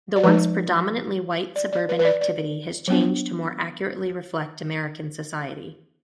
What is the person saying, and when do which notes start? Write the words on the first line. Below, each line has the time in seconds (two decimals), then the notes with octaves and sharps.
The once predominantly white, suburban activity has changed to more accurately reflect American society.
0.16 D5
0.23 F3 G#3 D#4 B4
1.56 D5
1.73 D5
1.89 B4
1.99 B4
2.05 D5
2.21 D5
2.88 F#3 B3 D4